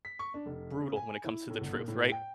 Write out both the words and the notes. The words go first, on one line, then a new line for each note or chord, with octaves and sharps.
brutal when it comes to the truth, right?
B6
C#6
D4
F1
C#3
G#5
E4
A2
G1
A#2
A2
G5